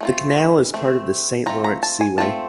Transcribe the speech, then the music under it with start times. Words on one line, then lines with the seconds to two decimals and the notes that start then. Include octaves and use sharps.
The canal is part of the Saint Lawrence Seaway.
0.01 A3 C4 F4
0.74 A3 C4
1.46 A3 C4 F4 A#5
1.64 A#5
1.83 A5
2.01 G#5
2.18 A3 C4 F4 A5